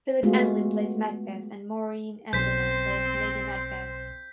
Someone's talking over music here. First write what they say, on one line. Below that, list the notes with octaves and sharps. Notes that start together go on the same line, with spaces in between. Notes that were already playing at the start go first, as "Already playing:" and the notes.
Philip Anglim plays Macbeth and Maureen Anderman plays Lady Macbeth.
G#3 A3 B3 F4 F#4 G#4
B1 C4 C5 G6 B6